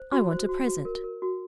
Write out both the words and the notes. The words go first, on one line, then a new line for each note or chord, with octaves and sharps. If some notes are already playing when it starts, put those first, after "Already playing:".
I want a present.'
Already playing: C5
F#4
C5
F#4
F#4
A#4
A#4
F#4